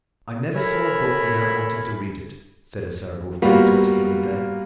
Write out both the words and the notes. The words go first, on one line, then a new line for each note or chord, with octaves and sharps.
"I never saw a book without wanting to read it," said a Cerebral friend to us the other day.
A4 A#4 C#5 E5 G#5 B5
G3 A#3 B3 F4 F#4